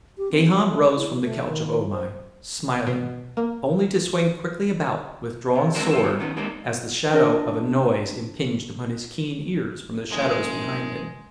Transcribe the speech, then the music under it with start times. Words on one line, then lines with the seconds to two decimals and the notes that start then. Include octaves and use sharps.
Gahan rose from the couch of O-Mai, smiling, only to swing quickly about with drawn sword as the shadow of a noise impinged upon his keen ears from the shadows behind him.
0.18 G4
0.32 C4
0.46 F#3
0.69 A3
0.94 E4
1.22 A3
1.44 D#3
1.92 C5
2.87 B2
3.37 A#3
5.55 C3
5.75 G#3 C4 D4 F#4 A#4 C5
5.91 F3 F4 A4
6.04 G3 B3 D#4 F#4
6.20 D#3 B3 C#4 D#4
6.36 G3 G#3 A#3 C4 D4 D#4
7.13 D4 A#4 D#5
10.10 F#1 G#3